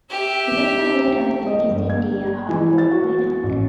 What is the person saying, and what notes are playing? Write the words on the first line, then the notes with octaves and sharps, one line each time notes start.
She was then laid up in the East India Harbour, Greenock.
G4 E5
D#5
G1
G#6
E3
A6
F#4
A1